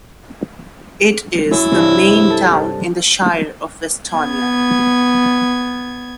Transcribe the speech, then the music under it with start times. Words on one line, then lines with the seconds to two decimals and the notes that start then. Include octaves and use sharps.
It is the main town in the Shire of Westonia.
1.51 F#2 E4
1.72 G2 C3
2.30 A4
4.11 B3 G#6